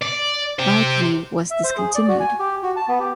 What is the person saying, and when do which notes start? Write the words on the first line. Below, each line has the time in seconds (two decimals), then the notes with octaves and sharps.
Night View was discontinued.
0.02 D5
0.59 G4 C5
1.51 E5
1.64 C5
1.77 G#4
1.95 D5
2.08 F#4
2.20 G#5
2.39 G4
2.63 F#4
2.76 A5
2.88 B3
3.00 G4